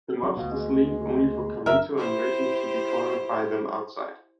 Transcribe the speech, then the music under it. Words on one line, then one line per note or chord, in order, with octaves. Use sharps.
The mobsters leave, only for Carlito and Reggie to be cornered by them outside.
F#3
D2 B2 F4
G#3
F#1 A#4 E5
E4 G4 C5